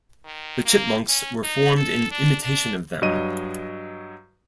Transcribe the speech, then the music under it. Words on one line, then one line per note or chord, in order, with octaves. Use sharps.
The Chipmunks were formed in imitation of them.
D#3
A#3
C#4
D#4
A4
D4
D4
G2 F#3 D#5 D#7